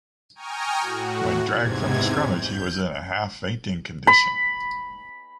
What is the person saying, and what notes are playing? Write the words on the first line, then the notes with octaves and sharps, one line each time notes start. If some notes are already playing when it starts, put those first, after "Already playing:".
When dragged from the scrummage he was in a half-fainting condition.
G5 G#5 A#5 C#6 D#6 F6
A2 F#4
E2 G#2 C3 G#6
G6
B5